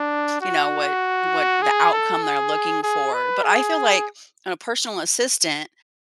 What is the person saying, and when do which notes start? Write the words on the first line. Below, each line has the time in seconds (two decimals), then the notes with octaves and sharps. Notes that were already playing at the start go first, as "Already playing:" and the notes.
you know, what what the outcome they're looking for, but, I feel, like, a personal assistant
Already playing: D4
0.41 F#4
1.62 G#4
1.93 A4
2.23 G#4
2.83 G#4
3.14 B4
3.43 G#4